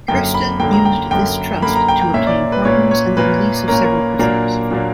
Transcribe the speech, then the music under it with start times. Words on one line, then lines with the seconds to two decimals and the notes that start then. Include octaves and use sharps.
Kersten used this trust to obtain pardons and the release of several prisoners.
0.08 F#2 D3 A#3 G5
0.34 B5
0.60 F#2 D3 A#3 G5
0.73 A#5
0.85 G5
1.11 F#2 D3 A#3 G5
1.62 F#2 D3 A#3 B5
1.75 A#5
1.88 G5
2.01 G5
2.14 A#2 A#3 C#4 E5
2.27 D5
2.52 B4
2.65 A#2 A#3 C#4 C#5
2.91 C#5
3.16 A#2 A#3 C#4 B4
3.68 A#2 A#3 C#4 A#4
3.84 A#4
4.19 A#2 F#3 A#3 D4 A#4
4.71 A#2 F#3 A#3 D4